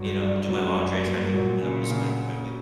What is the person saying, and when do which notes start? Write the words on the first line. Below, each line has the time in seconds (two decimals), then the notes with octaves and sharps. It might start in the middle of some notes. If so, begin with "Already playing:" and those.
you know, do my laundry, I try to, you know, 'cause my my week
Already playing: G2 F#3
0.22 D4
0.49 F#2 F#3
0.77 F#3
1.05 G2 A#3
1.33 A#2 F#3
1.62 A#2 C#3
1.90 C#3